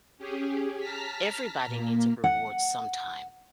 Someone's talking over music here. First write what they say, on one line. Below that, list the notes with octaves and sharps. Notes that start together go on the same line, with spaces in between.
everybody needs a reward sometime,
C#4 G4 G#4
A5 A#5 F6 B6
A#2 A#3
F#5